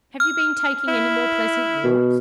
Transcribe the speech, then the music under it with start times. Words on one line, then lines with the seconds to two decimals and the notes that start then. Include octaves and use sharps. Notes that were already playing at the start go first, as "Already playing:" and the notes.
'Have you been taking any more pleasant walks?'
0.20 F6
0.88 E4
1.84 B2